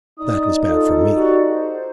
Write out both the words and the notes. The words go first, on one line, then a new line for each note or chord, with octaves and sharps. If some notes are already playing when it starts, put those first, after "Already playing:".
That was bad for me.
D#4 D5 D#6
F4 A4
F#4 G4 D5
C5